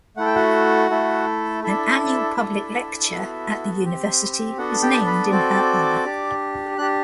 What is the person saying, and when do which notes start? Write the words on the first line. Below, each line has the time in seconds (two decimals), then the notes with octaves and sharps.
An annual public lecture at the University is named in her honour.
0.17 A3 E4 A4 F#5
0.26 G5
0.35 F#4 F#5
0.90 A3 E4 A4
1.64 D4 E4 A4 E5
2.37 D4 A4
3.11 B3 F#4 A4
3.84 C4 G4
4.58 B3 D4 F#4 A4 F#5
4.82 G4 G5
5.06 B4 B5
5.31 C4 F#4 A4 D5 D6
6.05 D4 G4
6.78 D4 G4 F#6